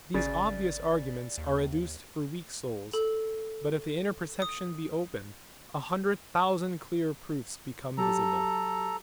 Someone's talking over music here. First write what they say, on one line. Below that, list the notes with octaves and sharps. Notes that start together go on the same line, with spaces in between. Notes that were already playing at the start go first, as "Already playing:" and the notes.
These obvious arguments are adduced for weak souls; but if the inner perception be open, a hundred thousand clear proofs become visible.
G#1 C#3 D5 A6
D#2
A4
D#6
F#3 G4 A4 A5 A#5